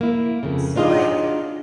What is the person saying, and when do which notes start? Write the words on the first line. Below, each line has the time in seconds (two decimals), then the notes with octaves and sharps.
So like
0.01 A#3 E4
0.43 F2 C#3
0.75 D4 D#4 F4 G#4 D#5